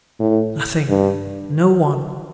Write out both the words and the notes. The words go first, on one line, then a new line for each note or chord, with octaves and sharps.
Nothing--no one!
A2
G2